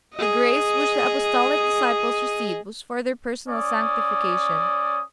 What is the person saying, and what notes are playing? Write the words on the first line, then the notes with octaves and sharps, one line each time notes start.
The grace which the Apostolic disciples received was for their personal sanctification.
G#4 D#5
C#4 D5 D#6